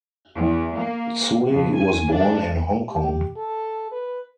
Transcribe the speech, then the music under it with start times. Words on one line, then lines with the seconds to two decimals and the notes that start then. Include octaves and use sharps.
Tsui was born in Hong Kong.
0.36 E2
0.78 A#3
1.50 F2
1.78 G#5
2.13 D4
2.91 G4
3.37 A4
3.92 B4